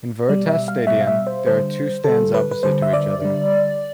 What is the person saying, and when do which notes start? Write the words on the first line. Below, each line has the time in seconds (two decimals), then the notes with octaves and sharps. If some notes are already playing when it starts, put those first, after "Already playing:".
In Veritas Stadion there are two stands opposite to each other.
0.29 B2 G3 D5
0.48 E5
0.68 F5
0.87 B2 G3 E5
1.01 F5
1.07 E5
1.27 C5
1.46 D3 G3 C5
2.04 D3 G3 A4
2.34 B4
2.51 B4
2.63 D3 G3 C5
2.82 E5
2.93 D5
3.22 D3 G3